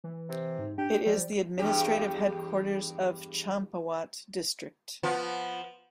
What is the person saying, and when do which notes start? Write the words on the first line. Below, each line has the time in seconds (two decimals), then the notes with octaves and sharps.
It is the administrative headquarters of Champawat district.
0.04 E3
0.29 C3
0.59 G#2
0.78 D4 G4
1.06 F3 G3
1.59 E2 G2 G4
5.03 F3 B3